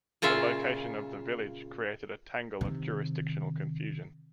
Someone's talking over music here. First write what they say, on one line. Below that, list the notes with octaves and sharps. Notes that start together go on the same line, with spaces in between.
The location of the village created a tangle of jurisdictional confusion.
A#2 C#3 F4 E5
C3 D#3